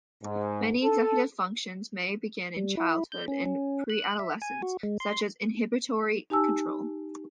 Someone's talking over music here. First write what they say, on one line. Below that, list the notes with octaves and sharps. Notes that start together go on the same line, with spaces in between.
Many executive functions may begin in childhood and preadolescence, such as inhibitory control.
G#2
A4
G3
E4
G6
C#4
C#4
F#6
E5
G#5
F#4
G#3
C6
D#4 G4 G#5 A5 E6